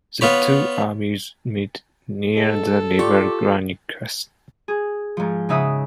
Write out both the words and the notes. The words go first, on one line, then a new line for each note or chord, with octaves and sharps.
The two armies met near the river Granicus.
B3 F4 C#5 B5
G#3 A4
F4 G4 D5 C#6
G#4
G#2 F3
C#3 D#4 E5 F#5 D#6